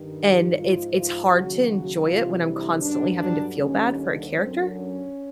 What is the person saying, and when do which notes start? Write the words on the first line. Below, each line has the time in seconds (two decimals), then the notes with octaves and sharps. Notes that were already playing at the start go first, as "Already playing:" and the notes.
And it's it's hard to enjoy it when I'm constantly having to feel bad for a character.
Already playing: G2 D#3 G3
0.23 G4
0.59 G#2 F3 F4
0.96 F4
1.33 D#2 C#3 F#3 F#4
2.07 D2 C3 E3 G3 F4
2.45 E4
2.81 G2 D3 F#3 D4
3.18 D4
3.56 D#2 D3 G3 C#4
4.30 F#2 D3 F#3 C4
4.67 C#4